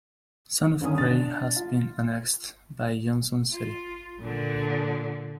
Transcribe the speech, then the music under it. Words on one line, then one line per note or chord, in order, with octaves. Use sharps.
Some of Gray has been annexed by Johnson City.
G1 D#2 C#4 D#6
D4 A6
F4
F4
A#2 D3